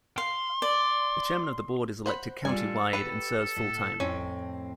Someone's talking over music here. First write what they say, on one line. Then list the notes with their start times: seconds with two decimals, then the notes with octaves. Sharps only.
The chairman of the board is elected county-wide and serves full-time.
0.18 F5 C6
0.62 D5
2.06 C5 F#5 B5
2.45 G3 D4 F4 A4 G#5
2.93 G4 B4 F#5
3.56 A2
4.00 F2 A2 C4 C#4